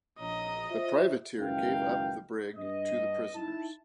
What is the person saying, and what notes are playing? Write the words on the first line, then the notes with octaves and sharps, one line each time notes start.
The privateer gave up the brig to the prisoners.
A#1 C#5 D#5 A#5
F4 C5 E5
C#2 F#2 D#3 E4 F5 G5
G2 D#5
D#4 E4 A5